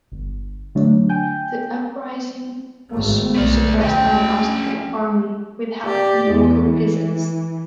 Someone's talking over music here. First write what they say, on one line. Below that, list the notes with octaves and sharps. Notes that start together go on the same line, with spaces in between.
The uprising was soon suppressed by the Austrian army with help from local peasants.
G1
D3 F#3 A3 D4
G5 G#5 G6
G#1 A3
B1 A3 D5
D2 C#4 G5
G4 D5
E2
E3